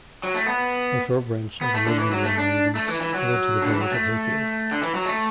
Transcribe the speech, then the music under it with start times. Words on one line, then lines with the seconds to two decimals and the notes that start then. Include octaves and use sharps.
A short branch of the Midland Railway once led to the village of Hayfield.
0.23 F#3
0.34 A3
0.46 B3
1.61 B3
1.74 A3
1.87 D3
1.99 E3
2.12 F#3
2.25 A3
2.38 D4
2.75 A3
2.88 E3
3.01 E3
3.14 F#3
3.62 D3
3.72 E3
3.81 F#3
3.91 A3
4.71 D3
4.83 E3
4.95 F#3
5.06 A3